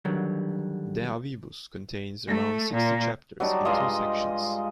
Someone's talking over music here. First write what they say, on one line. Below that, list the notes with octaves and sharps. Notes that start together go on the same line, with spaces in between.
"De avibus" contains around sixty chapters in two sections.
D3 D#3 F#3 G3
A3
A#2
F#3 G3 D4 D#4
G2 G#3 F4 D#5